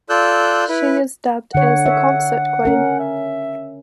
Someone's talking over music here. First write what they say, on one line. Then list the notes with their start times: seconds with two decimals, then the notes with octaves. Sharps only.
She is dubbed as the "Concert Queen".
0.09 F4 A4 D5 E6 F#6 G6
0.69 E4 B4
1.55 D3 C#5 F#5
1.86 C#5 E5
2.65 C#4 A#4
3.00 E5